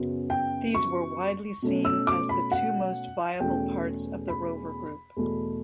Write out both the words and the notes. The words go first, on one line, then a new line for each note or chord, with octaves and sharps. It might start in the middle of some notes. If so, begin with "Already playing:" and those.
These were widely seen as the two most viable parts of the Rover Group.
Already playing: F#2 C#3 F#3 B3
G5
C#6
B2 A3 C#4
E6
D6
B5
F#5
E2 B2 A3 C#4 G5
B5
E2 B2 A3